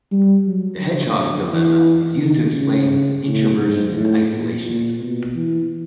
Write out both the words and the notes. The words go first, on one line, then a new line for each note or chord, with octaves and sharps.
The hedgehog's dilemma is used to explain introversion and isolationism.
G3
F#3
D3
E3
D#3
C#3
A2
G#2
A2
A#2
A#2
B2
E3